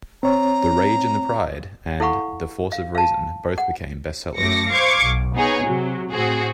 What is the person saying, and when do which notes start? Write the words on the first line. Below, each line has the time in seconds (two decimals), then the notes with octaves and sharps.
"The Rage and the Pride" and "The Force of Reason" both became bestsellers.
0.23 C4 C#5 A#5
2.00 E4 A4 F5 F#5 B5 C#6
2.72 F5
2.95 F5 A5
3.58 F#5
4.38 F#2 A3 D6 A#6 C#7
4.70 C5 F5 C#6 D6 G#6 C#7
5.03 B1
5.34 B3 D#4 G#4 C#5
5.65 C3 F#3
6.11 A2 C4 F#4 G#4